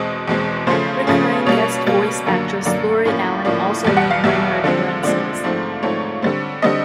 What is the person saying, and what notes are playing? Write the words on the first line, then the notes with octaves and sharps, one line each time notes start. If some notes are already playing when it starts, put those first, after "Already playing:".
Recurring guest voice actress Lori Alan also made minor appearances.
Already playing: E2 B2 G#3 C4 D#5
E2 B2 G#3 C4
C#3 F3 A3 C#4 C5
C#3 F3 A3 C#4
B2 G3 A#3 C#5
B2 G3 A#3
F#2 D3 F#3 A#3
F#2 D3 F#3 A#3 D5
A2 F3 A#3 C#4
A2 F3 A#3 C#4 D5
E2 B2 G3
F#5
F5
E2 B2 G3 E5
D3 F3 G#3 C4
D3 F3 G#3 C4 D5
G#2 F3 A3 C4
G#2 F3 A3 C4 C#5
D3 G3 C4
D3 G3 C4 D#5